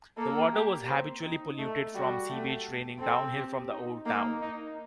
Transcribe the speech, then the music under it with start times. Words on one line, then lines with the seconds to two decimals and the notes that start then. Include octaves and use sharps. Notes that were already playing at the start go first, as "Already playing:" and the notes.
The water was habitually polluted from sewage draining downhill from the Old Town.
0.17 A#3 A4
0.53 G4
0.88 C4
1.24 D#4
1.59 A3
1.95 G3 F#4
2.30 A3
3.00 C4 A4
3.35 G4
3.71 D#4
4.06 A#3 D#4
4.41 D#4